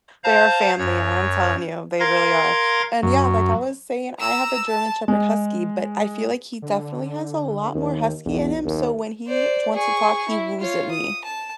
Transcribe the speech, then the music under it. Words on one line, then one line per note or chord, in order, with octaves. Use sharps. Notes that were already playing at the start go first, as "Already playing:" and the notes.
They are family, and I'm telling you, they really are. And, yeah, like I was saying, I have a German shepherd husky, but I feel like he definitely has a lot more husky in him, so when he wants to talk, he woos at me.
C5 F5 A5 A#5 G6
F#2 C#5
A#4 F5 A#5 C6 G#6 A#6
F#2
A#5 E6
A5
G#3
D3
D#2 D#3
B1 E2
D#2
C5 D5
G#4 C#6
E4
F4 C#5
D#6
A5